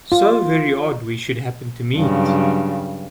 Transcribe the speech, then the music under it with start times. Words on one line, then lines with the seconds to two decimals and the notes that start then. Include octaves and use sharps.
So very odd we should happen to meet!
0.12 F4
1.96 G2 C#3 F#3